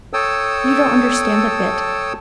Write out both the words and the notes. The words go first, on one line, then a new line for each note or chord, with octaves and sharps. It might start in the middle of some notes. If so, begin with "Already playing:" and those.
You don't understand a bit!
A4 C#5 G5 A5 D#6 E6